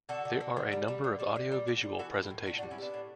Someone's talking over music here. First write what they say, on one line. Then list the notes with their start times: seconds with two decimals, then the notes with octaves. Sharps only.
There are a number of audio-visual presentations.
0.09 D3 F#4 A4
0.25 D3
0.40 D3
0.57 D3
0.73 G3
0.88 G3
1.04 D3
1.19 G3
1.36 D3
1.52 G3
1.67 D3
1.83 G3
1.99 E3 F#4 A4
2.15 A2
2.23 E4 G4
2.30 A2
2.46 A2 D4 F#4
2.58 D4 F#4
2.63 G3
2.71 C#4 E4
2.78 G3 B3 D4
2.94 A2